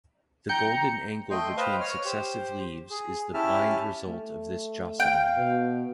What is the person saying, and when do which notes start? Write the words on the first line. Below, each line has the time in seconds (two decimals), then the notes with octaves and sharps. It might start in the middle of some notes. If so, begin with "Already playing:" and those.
The golden angle between successive leaves is the blind result of this jostling.
0.49 G5 A#5 G6 C#7
1.31 A3 D#5 G5 C6 G6
1.57 B4 C5 D#5 F5 G5
1.81 C#5 F6
2.05 G4 C5
2.90 G#4
3.34 C#4 E4 G4 E5 A5 F6
4.08 A3
5.00 F5 G5
5.37 B2